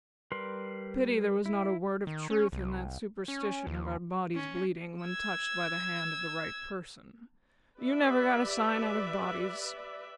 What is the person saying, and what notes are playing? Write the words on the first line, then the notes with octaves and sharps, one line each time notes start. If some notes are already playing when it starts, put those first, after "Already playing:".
Pity there was not a word of truth in that superstition about bodies bleeding when touched by the hand of the right person; you never got a sign out of bodies.
G3 A#4 B4 C6
E4
D#3
C#4
C2
C#4
D#2
C#4
E6 G#6
G4 B4 D5 E5